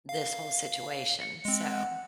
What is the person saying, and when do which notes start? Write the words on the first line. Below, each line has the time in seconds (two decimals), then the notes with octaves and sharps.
this whole situation, so
0.09 F5
1.21 C#7
1.45 G#3 C4
1.59 F#5